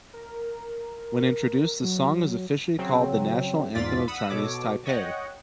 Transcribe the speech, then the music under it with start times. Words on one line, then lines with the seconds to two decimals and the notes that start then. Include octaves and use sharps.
When introduced, the song is officially called the National Anthem of Chinese Taipei.
0.13 A#4
1.84 F#3
2.79 C#3 F#3 C4
3.74 E2 G#2 F4 D5 A6 B6
4.07 F#5 B5 D#6 E6
4.30 B2 A4 C#5 D6
4.86 C#5 D#5 F#5 G5